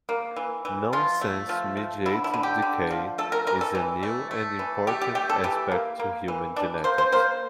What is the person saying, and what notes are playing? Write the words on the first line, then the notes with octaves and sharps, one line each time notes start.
Nonsense-mediated decay is a new and important aspect to human genetics.
A#3
E3
E3
F3 F4
A3
F3
F3
D3 E4
E4
D3
G4
D3
F3
A3 A4
A#4
E3 A#4
A4
E3
A3
A3
E3
A3 G4
G4
A3 G4
A4
E3 G4
A#3
A#3
E3
E3 D4
A#3 C5
C5
A#3 C5